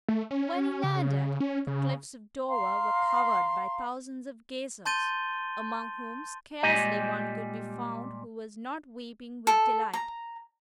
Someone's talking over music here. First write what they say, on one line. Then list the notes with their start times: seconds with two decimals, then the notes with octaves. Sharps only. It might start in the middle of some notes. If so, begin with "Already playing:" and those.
When he landed, the cliffs of Dover were covered by thousands of gazers, among whom scarcely one could be found who was not weeping with delight.
0.08 A3
0.31 C#4
0.84 C#3
1.40 C#4
1.67 C#3
2.48 F5 A#5 C6
4.85 A5 C6 G6 A6 D#7 G7
6.63 A#2 G3 G#3 G4 D#5 G#5
9.47 A4
9.93 A#5